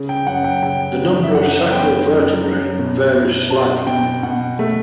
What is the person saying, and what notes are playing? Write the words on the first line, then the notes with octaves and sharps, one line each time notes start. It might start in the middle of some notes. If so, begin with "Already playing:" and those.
The number of sacral vertebrae varies slightly.
Already playing: C#3
G5
F#2 F#5
G5
C#3 G5
C#3
E5
F#2 F#5
B3 G5
F#2
F#2
B2
B2
B2 A5
B2 G5
B2 F#5
A3